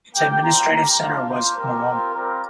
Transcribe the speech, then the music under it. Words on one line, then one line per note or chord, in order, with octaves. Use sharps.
Its administrative centre was Murom.
A#3 G4 G5
G3 C4 F4 A#5
A#3 G4 A#5
A#3 D4 F4 F5
A#3 F4 C5
G3 C4 G4 A#4
C4 F4
G3 C4 F4 A#4